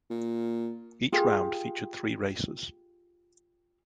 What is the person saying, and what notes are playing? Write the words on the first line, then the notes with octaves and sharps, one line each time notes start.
Each round featured three races.
A#2
F4 G4 G#4